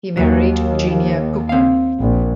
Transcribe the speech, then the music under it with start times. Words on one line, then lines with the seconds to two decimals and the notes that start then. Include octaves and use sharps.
He married Genia Kuper.
0.17 D#2 F#3
1.49 C4 F5
2.00 A#1